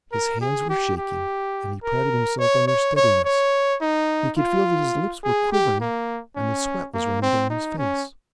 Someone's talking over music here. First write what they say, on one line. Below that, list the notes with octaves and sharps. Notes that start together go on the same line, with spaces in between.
His hands were shaking, and he prided himself on their steadiness; he could feel that his lips were quivering, and the sweat was running down his face.
A#4
G#4
G4
G4
A#4
C#5
C#5
C#5
C#5
D#4
F4
G#4
G4
A#3
C#4
A#3
C4
D#4
C#4